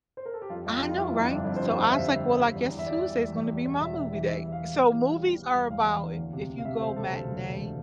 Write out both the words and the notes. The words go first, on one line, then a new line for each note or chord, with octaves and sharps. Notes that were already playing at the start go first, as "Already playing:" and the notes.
I know, right? So, I was, like, well, I guess Tuesday's gonna be my movie day. So, movies are about if if you go matinee,
C5
A#4
A4
G4
F2 F4
F2 F4
G3
F4
F2 E4
F2
D4
G1
D4
F2 E4
C5
G3
D3 F5
G3 E5
G1
G3
G3
E2
E3
E5
G3 D5
E3
E2
E2
G3
E2
E1 E5
G3 E5
E3 E5
G3 E5
G3
F5
E2
E2 F5
E3
G3
E3
G3
E2
E2 F5
E2
E3
D2
C3
E1
F5
C3 E5
E1 C5
C3 A4
D2
E1
E1